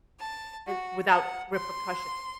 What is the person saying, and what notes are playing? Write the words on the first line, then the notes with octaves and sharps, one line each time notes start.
uh, without repercussion
A5
F#4
F#5
C6